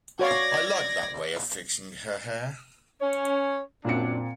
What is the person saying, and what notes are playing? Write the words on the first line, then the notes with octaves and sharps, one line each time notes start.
I like that way of fixing her hair.
F#4 C#5 D5 F5 G#6 A#6
C#4 C#5
F#2 A#2 C4 D4 C#7